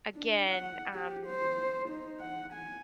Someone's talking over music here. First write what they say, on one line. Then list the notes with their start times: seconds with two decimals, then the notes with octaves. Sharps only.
again, um,
0.15 D4
0.50 F#5
0.93 G4
1.26 C5
1.89 D#4
2.20 F#5
2.53 G#5